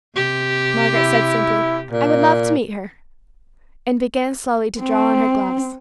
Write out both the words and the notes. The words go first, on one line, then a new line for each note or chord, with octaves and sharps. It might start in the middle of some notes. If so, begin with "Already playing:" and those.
Margaret said simply, "I would love to meet her," and began slowly to draw on her gloves.
C3 G4
E4
A#2
C4